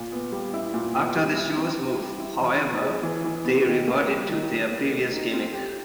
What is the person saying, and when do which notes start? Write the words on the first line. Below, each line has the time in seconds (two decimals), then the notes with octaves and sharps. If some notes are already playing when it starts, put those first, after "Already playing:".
After the show's move, however, they reverted to their previous gimmick.
Already playing: A#2
0.12 B3
0.32 G3
0.54 E4
0.74 A#2
0.95 B3
1.16 G3
1.36 E4
1.57 C4
1.79 G4
2.00 G3
2.20 E4
2.42 E3
2.62 B3
2.82 G#3
3.03 E3
3.24 E3
3.45 B3
3.66 D#3
3.88 A#3
4.08 G3
4.29 D#3
4.50 D#3
4.71 A#3
4.91 A3
5.13 D#4
5.33 C4
5.53 G4